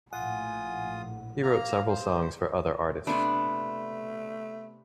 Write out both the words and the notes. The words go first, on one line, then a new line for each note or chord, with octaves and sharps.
He wrote several songs for other artists.
A#1 A2 F4 F#5 G#5 D#6
A#3 F5 A#5 F6
C5
C3 A3 B3 D4